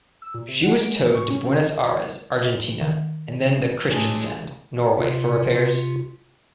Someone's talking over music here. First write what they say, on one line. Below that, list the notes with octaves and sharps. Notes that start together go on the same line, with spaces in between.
She was towed to Buenos Aires, Argentina and then to Kristiansand, Norway for repairs.
E6
A#2
C3
F#5
D7
G#3
A#2
C#6
C#4
D#3
A2 G#3 D4
C3 F4